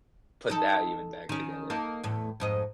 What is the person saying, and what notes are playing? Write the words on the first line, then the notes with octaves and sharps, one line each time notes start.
put that even back together.
D#4 A4
D#3 C#4
A#3 D#4 A4
E2 A2
F2 G#2 D#5